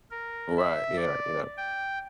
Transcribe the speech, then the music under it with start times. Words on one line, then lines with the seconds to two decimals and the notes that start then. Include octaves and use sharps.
Right, yeah, yeah.
0.11 A#4
0.57 E5
0.97 D5
1.57 G5